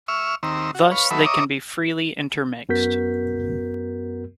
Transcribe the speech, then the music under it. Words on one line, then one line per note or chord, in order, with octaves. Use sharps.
Thus, they can be freely intermixed.
E5 C#6 E6 F6
D#2 D#3 C4 A#5 E6
F#4
B4 C#5 F5
D#3 F#3 A4 B4 E5 B5
C#5 D#5 E5 A#5 D6 D#6
F#2 B3 F#4 A#4 G6 B6